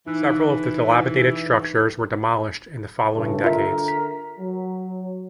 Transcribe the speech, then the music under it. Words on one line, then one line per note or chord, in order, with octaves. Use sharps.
Several of the dilapidated structures were demolished in the following decades.
E3 D#4 F#6
G2 C#3 A3
D3 F4 A#4 E5
B6
F#3